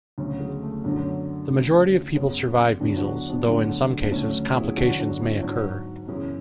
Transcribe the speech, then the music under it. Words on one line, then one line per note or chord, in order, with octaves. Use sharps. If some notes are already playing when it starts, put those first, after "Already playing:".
The majority of people survive measles, though in some cases, complications may occur.
D2 C#3 F#3
G#3
A3
F#2 D3 F#3
D2 C#3 E3
F#2 C#3 F#3 G#3 B3
E2 D3 F#3 B3 D4
D4 F#4
B3 D4
D2 D3 F#3
D4
D2 C#3 F#3 A3 C#4
E4 G#4
E2 D3 F#3 D4 F#4
D4 F#4
C#4 E4
G#2 F#3 D4 F#4
F#2 C#3 E3 E4 G#4